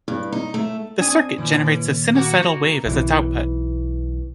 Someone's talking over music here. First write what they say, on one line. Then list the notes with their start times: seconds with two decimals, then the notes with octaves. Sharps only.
The circuit generates a sinusoidal wave at its output.
0.08 G2
0.32 D#4
0.54 A3
1.00 C4 D4 G#5 D#6
1.38 A#2 D#3 E3 C#5
2.13 A#3 F#4
2.86 B1 E3